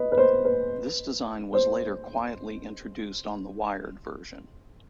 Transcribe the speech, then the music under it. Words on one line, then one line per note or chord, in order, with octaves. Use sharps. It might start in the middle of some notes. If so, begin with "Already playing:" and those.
This design was later quietly introduced on the wired version.
Already playing: B4 D#5
B4
C5
B4
C5